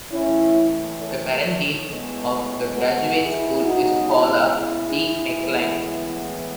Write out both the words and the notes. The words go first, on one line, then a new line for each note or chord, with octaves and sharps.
The current dean of The Graduate School is Paula D. McClain.
A2 E3 A3 C#4 E4
A4 C#5
A2 G#3 B3
F#4 A4
E4 G#4
C#3 G#3 B3 D#4 F#4
E4 G#4
E4 G#4
A2 E3 G#3 B3